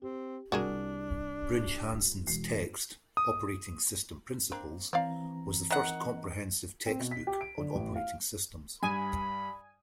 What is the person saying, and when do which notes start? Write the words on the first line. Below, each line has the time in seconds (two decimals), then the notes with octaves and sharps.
Brinch Hansen's text, "Operating System Principles", was the first comprehensive textbook on operating systems.
0.02 C4 G4
0.52 C2 G3 D4 F#4 G#4 A#4
2.27 E1 C7
3.17 D#6
4.52 A#3 C4 D4
4.93 E3 C4 C5 D5 F5 A#5
5.70 D#3 F#5
6.86 C4
7.00 B2
7.11 B6
7.27 G4
7.41 D7
7.58 D3
7.75 A1
7.96 F5
8.83 G2 G#5 B5 D#6 D#7